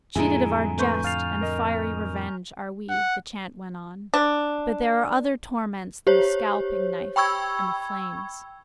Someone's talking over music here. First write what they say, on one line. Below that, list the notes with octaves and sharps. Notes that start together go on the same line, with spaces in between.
'Cheated of our just and fiery revenge are we,' the chant went on - 'but there are other torments than the scalping-knife and the flames.
F2 A2 D3 G#3 E4 G#4 G#5 A#5
A3 B4 C6 C#6 G6 D#7
F5 F6 A6 C7 F7
A#4 D#5
F#5
D4
G4 C5 C#5
G5 B5 C#6 E6 G#6